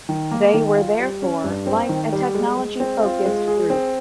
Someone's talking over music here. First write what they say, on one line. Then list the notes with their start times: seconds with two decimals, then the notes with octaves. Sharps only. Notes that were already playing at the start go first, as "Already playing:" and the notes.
They were therefore like a "technology-focused" group.
0.09 D#3
0.31 A#3
0.54 D#3
0.76 F4
0.99 G3
1.22 C#4
1.44 G2
1.67 C4
1.89 D#3
2.13 G3
2.35 G#3
2.57 G#3
2.80 C4
3.03 F4
3.26 G#3
3.47 G#4
3.70 C4